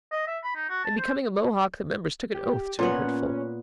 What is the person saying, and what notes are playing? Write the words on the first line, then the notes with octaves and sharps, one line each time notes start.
In becoming a Mohawk the members took an oath to be hurtful.
D#5
E5
B5
D#4
F#4
A5
C5
G4
A#2 B3 C#4 F#5